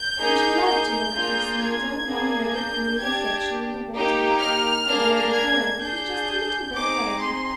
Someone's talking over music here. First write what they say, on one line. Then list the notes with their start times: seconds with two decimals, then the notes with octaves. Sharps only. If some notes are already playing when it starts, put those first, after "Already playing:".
And she loved to look at her slender, long-legged blue reflection in the water; for the lady Heron was just a little bit vain.
Already playing: G6
0.19 A#3 D#4 G#4
0.66 G6
1.13 A#3 D4 F4 G#4
1.59 G#6
2.06 A#3 D4 G#4
2.54 G6
3.00 D4 G4 G#6
3.93 A#3 D#4 G4
4.41 F6
4.87 A#3 D4 G#4
5.34 G#6
5.81 D4 G#4 G6
6.75 C4 D#4 G#4 D6
7.22 C6